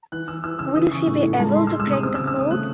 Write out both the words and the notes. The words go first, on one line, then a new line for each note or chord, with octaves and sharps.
Will she be able to crack the code?
E3 F#6
E3 E6
E3 E6
C#3 E6
E3 D#6
C#3 C#6
A2 C#6
A2
G#3 A5
G#3 C6
E6
G#3
E6
C3 D#6
C4 E6
E6
C#3
E6
C#3 D#6
A3 F#6